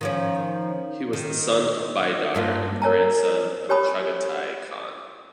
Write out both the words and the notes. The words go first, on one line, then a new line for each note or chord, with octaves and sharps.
He was the son of Baidar and the grandson of Chagatai Khan.
D#3 F3 C#4
D#3
G2 A#3 F4
A#4 C#5 G#5 A#5
G4 C#5 G#5 B5 D#6